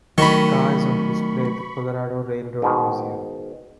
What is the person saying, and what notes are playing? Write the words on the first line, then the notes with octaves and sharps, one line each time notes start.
The car is on display at the Colorado Railroad Museum.
D#3 F#3 A3 B5 C#6
G#2 B2 D#3